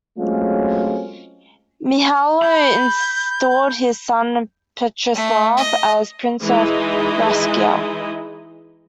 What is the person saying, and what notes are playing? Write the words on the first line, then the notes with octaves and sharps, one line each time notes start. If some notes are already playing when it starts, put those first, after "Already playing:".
Mihailo installed his son Petrislav as Prince of Rascia.
F#3 G#3 A3 C4 C#4 F4
B5 G6
A3
D#5
E3 G#3 D#4 E4 D#5